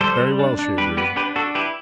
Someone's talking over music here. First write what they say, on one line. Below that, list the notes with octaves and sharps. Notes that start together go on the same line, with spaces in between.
"Very well," she agreed.
G3 A4 C5
G3
D4
D4
G3 G4 B4
B3 G4 B4
D4 G4 B4
D4 F#4 A4
E4 G4 B4